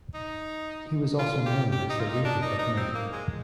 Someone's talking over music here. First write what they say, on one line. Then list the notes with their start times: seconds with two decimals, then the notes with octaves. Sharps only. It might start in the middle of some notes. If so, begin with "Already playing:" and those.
He was also known as the reaper of men.
0.14 D#4
1.19 F4
1.46 G4
1.72 G4
1.90 D#4
2.00 F4
2.08 D#4
2.25 D4
2.42 D#4
2.59 D#4
2.77 C4
2.95 A#3
3.12 G#3